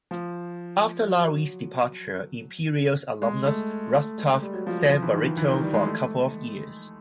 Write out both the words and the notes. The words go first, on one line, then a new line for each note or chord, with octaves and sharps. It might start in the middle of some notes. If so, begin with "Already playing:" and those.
After Lowry's departure, Imperials alumnus Russ Taff sang baritone for a couple of years.
F3
F#3
G#3
A3
A3
G#3
G3
F#3
F3
F#3
F3
E3
D#3
E3
E3
D#3
G3
G#3
A3